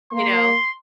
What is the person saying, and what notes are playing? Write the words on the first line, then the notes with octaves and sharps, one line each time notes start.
you know?
A#3 C6